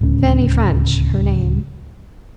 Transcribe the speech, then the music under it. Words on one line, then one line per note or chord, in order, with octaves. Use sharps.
Fanny French, her name.
D1 C#2 C#3